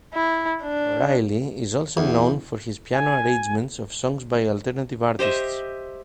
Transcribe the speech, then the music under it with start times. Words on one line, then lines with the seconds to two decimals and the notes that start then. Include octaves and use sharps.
O'Riley is also known for his piano arrangements of songs by alternative artists.
0.14 E4
0.63 D4
1.97 E2
2.93 G#5
5.19 G4 C5 D#5 E5